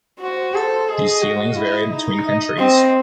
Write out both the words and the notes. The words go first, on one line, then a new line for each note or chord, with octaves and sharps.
These ceilings vary between countries.
F#4 C5
A4
G#4 D#5
F#4
E4
D#4
D#5
C4